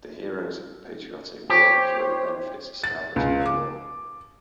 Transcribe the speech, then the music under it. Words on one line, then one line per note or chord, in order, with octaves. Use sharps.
The Heroes of the Patriotic War enjoy the benefits established by law.
G4 C5 C#5
A6
C#2
D6